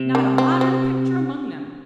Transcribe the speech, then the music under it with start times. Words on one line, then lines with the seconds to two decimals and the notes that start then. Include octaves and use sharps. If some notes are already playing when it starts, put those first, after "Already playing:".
Not a modern picture among them.
Already playing: C3
0.15 A#3 D4
0.38 C4
0.61 C4